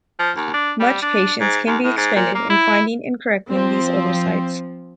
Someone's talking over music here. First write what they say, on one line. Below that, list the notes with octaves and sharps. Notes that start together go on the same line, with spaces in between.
Much patience can be expended in finding and correcting these oversights.
F3
D#2
D4
G3
D4
G#2
D#2
A2
G#2
A#2
A#3
E4
F3 C4